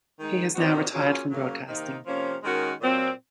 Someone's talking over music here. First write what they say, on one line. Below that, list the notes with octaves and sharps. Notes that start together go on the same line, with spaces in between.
He has now retired from broadcasting.
D#3 G#3 D#4
A#2 F3 C4 D#4 F#4
F#3 A#3 C#4 F4 G#4
C#3 F#3 A#3 C#4
C3 D#3 A#3 D#4
C3 F3 A#3 C#4
D#3 G#3 C#4 F#4 A#4
A#2 F#3 C4 F4